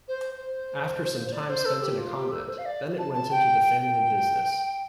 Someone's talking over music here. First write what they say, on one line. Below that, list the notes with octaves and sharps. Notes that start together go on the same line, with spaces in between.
After some time spent in a convent, Bennett went into the family business.
C5
C5
D5
C5
A4
G4
F4
G4
A4
C5
F5
D5
A5
A5
G5
G5